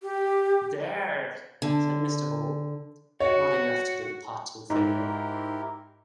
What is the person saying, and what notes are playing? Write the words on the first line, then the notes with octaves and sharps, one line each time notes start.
"There," said Mr. Hall, nodding after the departing figure.
G4
D3
F#4 C#5
G#2 E4 G4 A#4